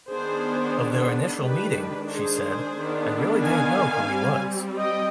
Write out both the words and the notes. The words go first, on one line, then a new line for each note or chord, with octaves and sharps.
Of their initial meeting, she said, I didn't really know who he was.
D#3 B3 D4 G#4 C5
D#3 G#3 D4 G4 B4
G#4 C5
D#3 B3 D4
F5 G#5
G3 C4
D#5 G5